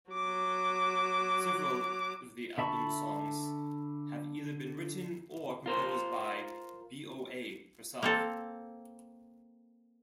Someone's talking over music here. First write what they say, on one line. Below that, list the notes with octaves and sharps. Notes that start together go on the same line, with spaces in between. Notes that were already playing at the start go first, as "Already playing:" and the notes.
Several of the album's songs have either been written or composed by BoA herself.
F#3 D6
D3 E5 A5 B5 C#6
F4 A#4 C5
A#3 C4 A4